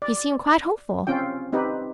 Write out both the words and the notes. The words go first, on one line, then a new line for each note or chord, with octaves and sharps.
He seemed quite hopeful.
D5
C4 C#4 F4 G5
C4 D#4 G4 B4